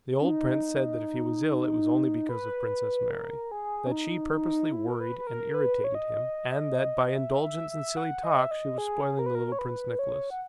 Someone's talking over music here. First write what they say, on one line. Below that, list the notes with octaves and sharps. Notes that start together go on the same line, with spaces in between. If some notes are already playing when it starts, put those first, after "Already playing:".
The old prince said that if he was ill it was only because of Princess Mary: that she purposely worried and irritated him, and that by indulgence and silly talk she was spoiling little Prince Nicholas.
C#4
D#4
B4
A#4
G#4
C#4
D#4
D#4
E4
A#4
B4
B4
A#4
B4
C#5
D#5
E5
E5
E5
F#5
D#5
E5
D#5
G#4
A#4
B4
A#4
C#5
B4
C#5
F#5